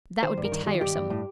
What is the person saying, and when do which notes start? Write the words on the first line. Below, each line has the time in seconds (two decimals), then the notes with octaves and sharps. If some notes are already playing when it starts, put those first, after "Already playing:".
That would be tiresome.
0.23 D#3 C5
0.38 G2
0.45 A#4
0.52 D#3
0.66 D#3 G4
0.74 F4
0.81 G2 G4
0.95 G2
1.10 A2